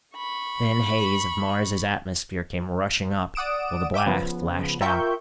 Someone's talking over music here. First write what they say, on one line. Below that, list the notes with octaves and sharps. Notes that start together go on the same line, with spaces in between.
The thin haze of Mars' atmosphere came rushing up, while the blast lashed out.
B5 C#6
D5 F#5 D#6 D7 E7
E5 G5 D6 D#7
C#3 F3 B3
F4 A#4 E5 G5 C#6 G6